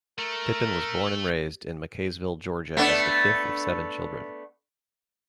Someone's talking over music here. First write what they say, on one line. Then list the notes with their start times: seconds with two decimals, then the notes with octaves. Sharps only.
Tipton was born and raised in McCaysville, Georgia as the fifth of seven children.
0.19 A3 A#4
2.77 A3 B3 D4